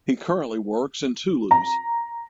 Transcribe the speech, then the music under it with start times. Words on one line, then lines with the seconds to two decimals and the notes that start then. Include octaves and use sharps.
He currently works in Toulouse.
1.51 A#5